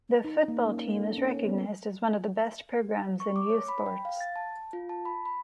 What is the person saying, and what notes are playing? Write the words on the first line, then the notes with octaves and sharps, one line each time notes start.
The football team is recognized as one of the best programs in U Sports.
D#4
A#3
C#4
A4
C#4
B3
C#6
D6
C#5
B5
G5
F5
A6
A5
F4
A5
B5
B5